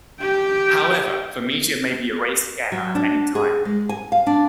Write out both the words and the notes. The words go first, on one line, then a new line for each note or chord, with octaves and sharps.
However, the media may be erased again at any time.
G4 G5
F#3
D4
G#4
G#3
G#5
F5
D4